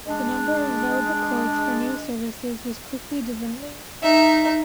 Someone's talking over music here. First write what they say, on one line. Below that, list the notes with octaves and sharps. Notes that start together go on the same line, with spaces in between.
The number of available codes for new services was quickly dwindling.
G#3 D4
D#4 E5